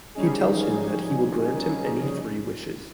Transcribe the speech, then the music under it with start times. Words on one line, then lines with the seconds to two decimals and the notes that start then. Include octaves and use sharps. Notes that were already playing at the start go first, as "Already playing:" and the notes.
He tells him that he will grant him any three wishes.
0.15 F3 G3 C#4 D#4 G#4